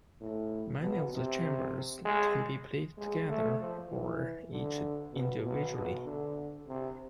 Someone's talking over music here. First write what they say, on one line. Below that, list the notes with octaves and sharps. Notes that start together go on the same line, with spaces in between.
Many of the chambers can be played together or each individually.
A2
B2
C3
G#3
G#3
A3
F3
E3
D3
B2
B2
B2
D3
C3